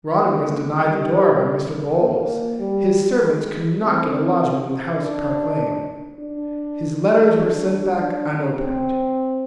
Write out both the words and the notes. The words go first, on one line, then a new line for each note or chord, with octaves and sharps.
Rawdon was denied the door by Mr. Bowls; his servants could not get a lodgment in the house at Park Lane; his letters were sent back unopened.
A#3
G#3
G3
A#3
G3
G#3
C4
D4
D4
D4
D4
C4